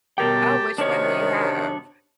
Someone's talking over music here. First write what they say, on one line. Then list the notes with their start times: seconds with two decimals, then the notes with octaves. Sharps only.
Oh, which one do you have?
0.18 F#2 B2 G4 A#4 G5 A5
0.78 F#2 C3 D#3 B3 D4 C#5